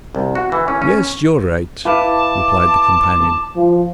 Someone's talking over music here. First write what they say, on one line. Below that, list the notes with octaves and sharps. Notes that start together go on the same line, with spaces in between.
"Yes, you're right," replied the companion.
C2
F#4
E3
C#4
C#4
E4 B4 F5 A5 D6
F3